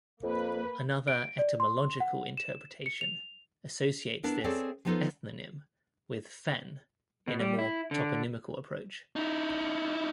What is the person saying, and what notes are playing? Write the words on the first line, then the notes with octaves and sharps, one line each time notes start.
Another etymological interpretation associates this ethnonym with "fen" in a more toponymical approach.
F2 A#3 B4
D7
D5
C6
F#5
E7
C#7
F7
B3 D4 E4 A#4
C4 G#4 A4 C#5 D5 E5
F3 G3 B3 D#4 F4 A4
B2
G3
E4
D3
D#4 E4